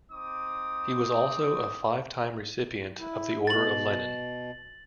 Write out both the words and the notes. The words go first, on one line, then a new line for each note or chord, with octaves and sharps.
He was also a five-time recipient of the Order of Lenin.
C4 D#4 D6 D#6
E4
B2 A6 F#7